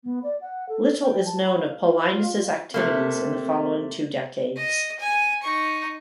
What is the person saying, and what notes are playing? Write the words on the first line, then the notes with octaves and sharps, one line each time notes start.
Little is known of Paulinus' activities in the following two decades.
B3
D5
F#5
A4
G5
A5
B5
F5
F4
C3 A3 A#3 C4
D#5
G#5
D#4 C#6